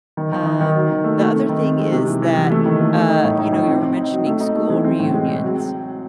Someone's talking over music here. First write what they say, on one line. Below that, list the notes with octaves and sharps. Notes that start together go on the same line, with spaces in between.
Um, the other thing is that uh, you know, you were mentioning school reunions,
D#3
D#3
D#4
D#3
F#3
D#3
A3
A3
C4
D#3
C4
G#3
C3
E3
E3
E3
A3
D#3
A3
A3
D#4
A2
D#4
A2
C4
C4
D#4
F#3
A3
D#4
A3
E3
C4
A2
G#3
C4
F#3